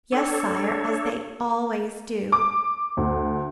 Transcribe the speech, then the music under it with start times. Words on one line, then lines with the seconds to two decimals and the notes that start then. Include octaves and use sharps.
"Yes, sire, as they always do."
0.12 D4 A4 C#5
2.32 D6
2.97 D2